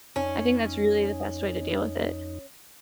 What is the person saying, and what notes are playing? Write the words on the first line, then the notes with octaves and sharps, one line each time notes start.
I think that's really the best way to deal with it.
F2 C#4 D#4